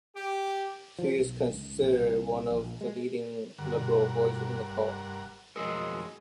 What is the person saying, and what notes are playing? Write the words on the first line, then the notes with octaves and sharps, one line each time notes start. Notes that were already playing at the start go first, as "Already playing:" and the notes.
She is considered one of the leading liberal voices in the Court.
G4
F3
B1
C#2
A#1
C2
A#1
G#3
G2 D3 A#4 F#5
B2
F1
F2 F#3 G#3 G#4 A#4 D#5 D#6 E6